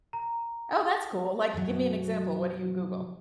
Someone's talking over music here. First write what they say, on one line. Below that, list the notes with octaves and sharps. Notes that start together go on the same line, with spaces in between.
Oh, that's cool, like, give me an example. What do you Google?
A#5
F#2 B2 D#3 F#3